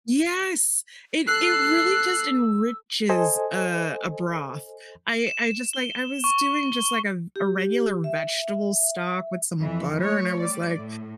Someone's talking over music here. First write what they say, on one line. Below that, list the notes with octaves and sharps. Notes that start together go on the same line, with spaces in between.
Yes, it it really just enriches, uh, a broth. I I just like I was doing just like a v a regular vegetable stock with some butter, and I was like,
A4 E6 F#6 C7
A4 C5 D#5 G#5
E7
G7
C#6
G7
G4
E5
F2 E3
A3 C#5
G3 D5
A2